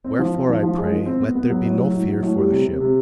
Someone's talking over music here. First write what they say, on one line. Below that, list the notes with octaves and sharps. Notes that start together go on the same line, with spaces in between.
Wherefore, I pray, let there be no fear for the ship.
C4
F3
C4
F3
F3
G#3
F3
C4
B3
B3
F#3
A2
F#3
A2
F#3
A2
G3
C3
C3
C3